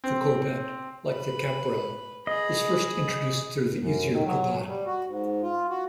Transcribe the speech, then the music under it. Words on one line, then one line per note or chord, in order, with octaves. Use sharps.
The courbette, like the capriole, is first introduced through the easier croupade.
C4
B4 B5
G#4 D#5 B5
F#2
D#3
F#3
G3
F#4
G#2
F4
F#4